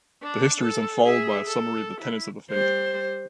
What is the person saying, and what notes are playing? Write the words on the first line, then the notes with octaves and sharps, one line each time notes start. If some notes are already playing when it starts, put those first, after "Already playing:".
The history is then followed by a summary of the tenets of the faith.
D4
A4
G#4 E5
A4
E4
G3 C5